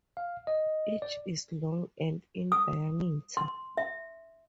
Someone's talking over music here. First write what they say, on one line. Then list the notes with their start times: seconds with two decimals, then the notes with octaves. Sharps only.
Each is long and in diameter.
0.17 F5
0.47 D#5
1.02 D5
2.52 D#6
3.37 C6
3.77 E5